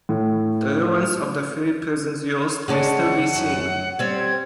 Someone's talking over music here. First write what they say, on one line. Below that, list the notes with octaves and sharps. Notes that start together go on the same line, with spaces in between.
The ruins of the three prisons used may still be seen.
A2
C#3 G#3 D4 F#5
F#2
G3 C4 G#6